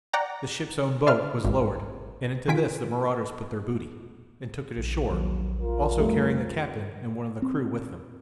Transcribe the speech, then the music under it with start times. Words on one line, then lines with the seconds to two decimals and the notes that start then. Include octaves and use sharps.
The ship's own boat was lowered, and into this the marauders put their booty, and took it ashore, also carrying the captain and one of the crew with them.
0.13 D5 F#5 G5 A#5
1.07 C5 D5 E5 F5 F6
1.45 G#1 C#2
2.48 D#3 F4 G#5 B6 D7
4.78 A#1
5.10 A#1 D#2 F#3
5.61 F4 A#4
5.97 F2 G3 A3
7.42 C4